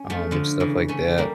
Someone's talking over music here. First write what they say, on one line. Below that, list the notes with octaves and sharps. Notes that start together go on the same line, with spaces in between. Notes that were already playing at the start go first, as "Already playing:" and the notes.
um, stuff like that,
Already playing: C#4
F3 A3
D3 F3
C#3 E3
A3 C#4
G3 A#3